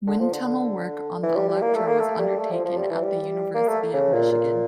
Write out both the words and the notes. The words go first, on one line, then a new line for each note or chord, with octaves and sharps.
Wind tunnel work on the Electra was undertaken at the University of Michigan.
D3
F3
D3
D3
E3
G3
G3
A#3
A3
A#3
A3
G3
A3
F3
F3
G3
E3
G3
A#3
A3
C#3
A#2
A#2